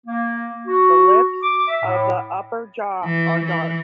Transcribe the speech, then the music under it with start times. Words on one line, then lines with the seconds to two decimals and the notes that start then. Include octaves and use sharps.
The lips of the upper jaw are dark.
0.06 A#3
0.67 F#4
1.43 D6
1.68 E5
1.84 A2
3.04 E3
3.44 E3